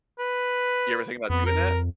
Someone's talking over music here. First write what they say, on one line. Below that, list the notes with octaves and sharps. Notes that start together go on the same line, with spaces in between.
You ever think about doing that?
B4
F2 B3
A#4